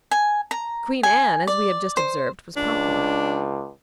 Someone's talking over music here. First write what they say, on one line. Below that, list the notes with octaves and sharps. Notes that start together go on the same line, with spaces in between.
Queen Anne, as we have just observed, was popular.
G#5
A#5
G#5
D5
C5
C#2 D4